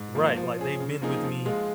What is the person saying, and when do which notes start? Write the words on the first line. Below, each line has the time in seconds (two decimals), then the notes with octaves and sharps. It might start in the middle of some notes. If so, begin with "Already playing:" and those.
Right, like they've been with me
Already playing: G#2
0.15 F3 A#3
0.37 F3
0.59 C#4 G#4
0.80 C#3
1.02 F3 A#3 D#4 G#4
1.24 F3
1.46 G#3 F4 G#4